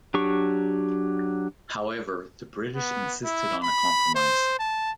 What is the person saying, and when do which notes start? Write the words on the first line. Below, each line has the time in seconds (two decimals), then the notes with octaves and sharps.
However, the British insisted on a compromise.
0.14 F#3 D4 G4 C#6
2.76 B3
3.25 E4
3.64 B5
4.15 C5
4.59 A5